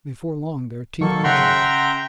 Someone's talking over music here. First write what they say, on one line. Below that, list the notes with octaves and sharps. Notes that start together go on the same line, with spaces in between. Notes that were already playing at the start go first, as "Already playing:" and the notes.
Before long their teeth were chattering.
D#3 F#3 A#3 A4 C#6
C#3 E5 F#5 G5 A#5 C6